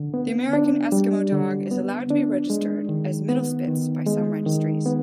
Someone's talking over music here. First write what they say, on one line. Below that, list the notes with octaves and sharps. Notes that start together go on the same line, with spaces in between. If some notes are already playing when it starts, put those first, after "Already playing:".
The American Eskimo Dog is allowed to be registered as Mittelspitz by some registries.
Already playing: D3
B3
D4
G3
D3
B3
D4
G#3
D#3
B3
D#3
G#3
D#3
B3